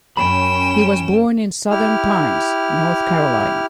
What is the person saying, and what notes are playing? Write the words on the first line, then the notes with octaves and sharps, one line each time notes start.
He was born in Southern Pines, North Carolina.
F#2 C#4 G5 B5 E7
E4 G4 F6